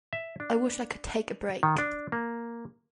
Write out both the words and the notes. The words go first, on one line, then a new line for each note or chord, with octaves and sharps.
I wish I could take a break.
E5
D4
D#3
D4
A#3